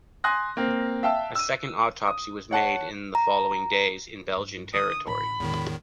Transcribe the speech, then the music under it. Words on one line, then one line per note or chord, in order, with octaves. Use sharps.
A second autopsy was made in the following days, in Belgian territory.
G#5 C6 D#6 F#6 A#6
A#3 C4
E5 F5 G5 A5 E6
E6 D#7
D#6
C#5 F#5 A5
A#5
G2
D3 D#6
A1 D3 B5
E2 A2 D3 D#3 G#3